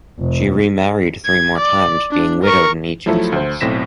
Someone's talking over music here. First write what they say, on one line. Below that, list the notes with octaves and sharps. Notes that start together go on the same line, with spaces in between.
She remarried three more times, being widowed in each instance.
F1
G#6
D5
D4
A#4 C#6
F3 F#3 A3 E4 F4 A4
D2 C5
B1 A2 C4 A#6 B6 E7